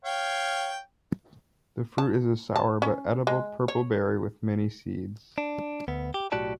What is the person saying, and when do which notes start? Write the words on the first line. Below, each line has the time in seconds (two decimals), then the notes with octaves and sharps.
The fruit is a sour but edible purple berry with many seeds.
0.04 C#5 F5 G5
1.98 A5
2.56 A5
2.82 C#4
3.27 G#3
3.68 C#5
5.38 D4
5.88 D2 B3
6.14 G4
6.32 B1 A2 F#4 G4 D5 A5